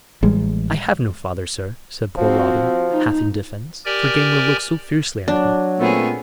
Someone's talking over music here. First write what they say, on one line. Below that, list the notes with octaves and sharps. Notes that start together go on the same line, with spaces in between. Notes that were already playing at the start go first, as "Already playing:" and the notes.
"I have no father, sir," said poor Robin, half in defense; for Gamewell looked so fiercely at him.
A1 G3 G#3
F3 C4 F#4
D#4
G4 A#4 D5 G#5
F#3 D4
A#2 A3 B3 C4 G#4